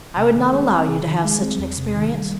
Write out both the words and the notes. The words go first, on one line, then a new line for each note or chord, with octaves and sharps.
I would not allow you to have such an experience.
C3
D#3
G#3 G#4
C4
C3 G#4
D#3
G#3
C4
E2
C3
D#3
G3